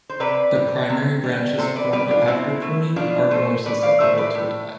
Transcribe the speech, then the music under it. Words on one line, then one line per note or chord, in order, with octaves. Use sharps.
The primary branches formed after pruning are more susceptible to attack.
C5
C3 B4 D5
G3
C3
G3
C3 A4 C5
B4 D5
G3 B4 D5
D4 F4
B2 C4 E4
A3
B2 D4 F4
A3 A4 C5
A2 B4 D5
D5 F5
E3 A3 C5 E5
B4 D5
A2